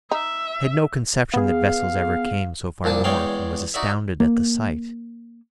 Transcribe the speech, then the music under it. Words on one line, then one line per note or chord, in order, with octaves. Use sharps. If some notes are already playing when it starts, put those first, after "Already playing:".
I had no conception that vessels ever came so far north and was astounded at the sight.
D#4 E5
B3 G#4 F5
C2 A#2 D4 A5
E2 G#3 C#5 D5 F5 G5
D#4 F#4 D5 E5
A#3